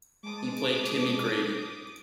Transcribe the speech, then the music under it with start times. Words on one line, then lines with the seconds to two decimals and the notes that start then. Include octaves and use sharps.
He played Timmy Grady.
0.23 G#3 A5 D6 D#6